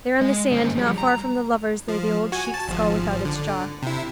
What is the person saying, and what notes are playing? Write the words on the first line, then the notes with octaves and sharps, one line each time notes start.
There on the sand not far from the lovers lay the old sheep's skull without its jaw.
G#3 D#5
G2 D3 C#4 G#4 C5
F3 G3 G#3
A#5
F3
F#4 G#5
A5
G#1 F3
D3
C3 E4